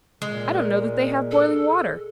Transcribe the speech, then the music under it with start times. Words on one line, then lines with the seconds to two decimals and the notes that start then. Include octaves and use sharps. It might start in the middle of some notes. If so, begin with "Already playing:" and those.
I don't know that they have boiling water.
0.22 A#2 G#3
1.31 A4